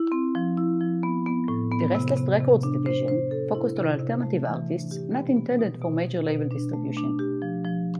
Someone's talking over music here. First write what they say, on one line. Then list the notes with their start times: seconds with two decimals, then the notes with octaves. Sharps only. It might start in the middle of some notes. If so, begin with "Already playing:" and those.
The Restless Records division focused on alternative artists not intended for major label distribution.
Already playing: E4
0.12 C4
0.35 F3
0.57 E4
0.81 F3
1.03 B3
1.26 B3
1.48 A2
1.72 B3
1.95 C3
2.17 C3
2.40 C3
2.63 D4
2.86 C5
3.08 C5
3.31 A4
3.55 E4
3.77 C3
3.99 C3
4.23 A3
4.45 E3
4.69 D4
4.91 G4
5.14 B2
5.37 B3
5.59 B2
5.82 B2
6.05 B2
6.29 B2
6.51 D4
6.73 A3
6.97 D4
7.19 G4
7.42 F3
7.65 F3